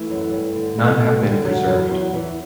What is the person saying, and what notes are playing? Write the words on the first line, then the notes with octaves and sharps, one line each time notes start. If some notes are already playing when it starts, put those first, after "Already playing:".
None have been preserved.
Already playing: E3 A3
F#2
G2
D3
G2 A3
G2 A3
D3 G3
D3 F#3
E2 F#3
E2
E3